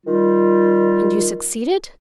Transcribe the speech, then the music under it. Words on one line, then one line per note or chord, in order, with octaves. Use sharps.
"And you succeeded?"
D#3 G3 F4